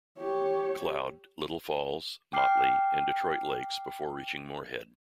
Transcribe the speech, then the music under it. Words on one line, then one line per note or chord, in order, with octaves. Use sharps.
Cloud, Little Falls, Motley, and Detroit Lakes before reaching Moorhead.
G4 C#5
G5 D6 F6 C7